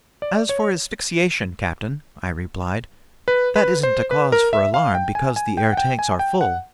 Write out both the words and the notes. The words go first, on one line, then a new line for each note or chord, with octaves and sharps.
"As for asphyxiation, captain," I replied, "that isn't a cause for alarm, because the air tanks are full."
D5
C#5
B4
B4
C5
B4
A#4
E5
F5
G5
G#5
G#5
G5
F#5
G5
G#5
G5
F#5